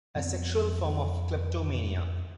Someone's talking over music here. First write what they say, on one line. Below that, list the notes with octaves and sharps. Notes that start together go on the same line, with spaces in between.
A sexual form of kleptomania.
F2 B3 C4